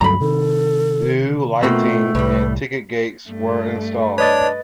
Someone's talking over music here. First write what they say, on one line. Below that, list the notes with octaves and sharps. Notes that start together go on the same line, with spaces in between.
New lighting and ticket gates were installed.
D2 G2 F#3 A4 A#5 B5
C3 D#3 A4
B2 A3 A#3 C4 F4
C2 A2 G3 B4
G2 A3
D4 B4 C#5 D#5 A6